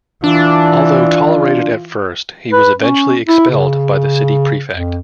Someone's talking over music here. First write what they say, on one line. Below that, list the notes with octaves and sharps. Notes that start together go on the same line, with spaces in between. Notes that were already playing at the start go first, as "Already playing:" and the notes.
Although tolerated at first, he was eventually expelled by the City Prefect.
E3 D4 F4
B4
C#4
E4
C#3
F2